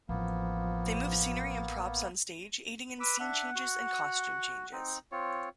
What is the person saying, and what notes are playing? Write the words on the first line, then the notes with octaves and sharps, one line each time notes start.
They move scenery and props on stage, aiding in scene changes and costume changes.
A1 F3 A#3 B3
B4 D6 E6
D4 E5 F#5
F#4
C4 D#4
C4 F4 C#5